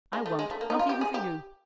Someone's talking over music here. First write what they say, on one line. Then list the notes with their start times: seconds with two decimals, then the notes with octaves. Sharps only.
I won't, not even for you.
0.13 G#3
0.26 A3
0.39 G#3
0.51 A3
0.61 A#3
0.70 D#4
0.79 F4
0.89 G4
1.01 G#4
1.14 G4